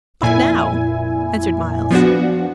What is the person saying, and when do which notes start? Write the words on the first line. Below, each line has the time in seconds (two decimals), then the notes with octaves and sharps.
"Not now," answered Myles.
0.23 F2 A#2 E4 G#5
1.91 F3 B3 D4 F#4